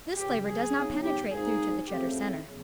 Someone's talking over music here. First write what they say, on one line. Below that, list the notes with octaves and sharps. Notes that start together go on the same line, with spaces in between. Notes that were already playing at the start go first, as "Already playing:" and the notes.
This flavor does not penetrate through to the Cheddar center.
C#2 C#3 F#3 G4
G#4
C#3 F#3 B3 D#4
G4
A#2 F3 G#3 C4 D#4 G#4
C#3 F3 A3 C4 G4
E4
C#3 F#3 B3